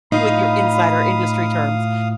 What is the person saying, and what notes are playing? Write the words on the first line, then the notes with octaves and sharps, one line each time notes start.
With your insider industry terms.
A2 D#4 F4 B4 F5 B5 D#6